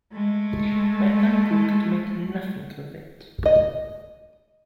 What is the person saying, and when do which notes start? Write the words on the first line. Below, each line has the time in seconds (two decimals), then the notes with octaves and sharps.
My uncle could make nothing of it.
0.12 G#3 A3
3.46 D#5